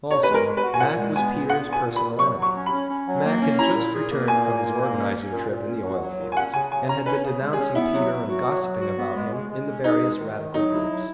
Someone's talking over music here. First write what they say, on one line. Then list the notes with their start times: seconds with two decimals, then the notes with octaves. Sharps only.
Also "Mac" was Peter's personal enemy; "Mac" had just returned from his organizing trip in the oil fields, and had been denouncing Peter and gossiping about him in the various radical groups.
0.11 D#4 C#5
0.23 B4
0.28 G#3
0.34 A#4
0.45 G#3
0.57 B4
0.63 F#4
0.74 G#5
0.80 A#2 F#5
0.98 G#3
1.15 B3 G#5
1.33 A#2
1.49 B3 F#5
1.67 A#2
1.73 G#5
1.85 A#2
1.96 B5
2.02 A#2
2.19 F#3 C#6
2.37 F#3
2.42 C#6
2.54 C#4
2.66 B5
2.72 C#4
2.89 C#4
3.06 F#3
3.24 A#3
3.41 C#4
3.59 E4 A#5
3.76 A#2
3.93 G#4
4.11 A#3
4.28 A#2 G#5
4.46 A#3
4.63 A#2
4.80 A#3
4.97 C#4
5.15 C#4
5.32 A#2
5.50 A#2
5.67 C#4
5.85 F#4
6.02 F#3
6.19 A#2
6.32 G#5
6.37 C#4 F#5
6.54 C#3 G#5
6.72 C#3 G#5
6.89 C#4 A#5
7.06 C#4 B4
7.23 C#3
7.41 G#3
7.53 G#4
7.58 C#4
7.75 B3 E4
7.93 F#3
8.11 F#3
8.28 F#4
8.45 F#3
8.62 F#3
8.80 F#4
8.97 B3
9.15 G#3
9.32 G#3
9.50 G#3
9.67 C#4
9.84 D#4 G#4
10.01 G#3
10.19 D#3
10.37 D#3
10.54 F#3 D#4
10.72 E4
10.89 F#3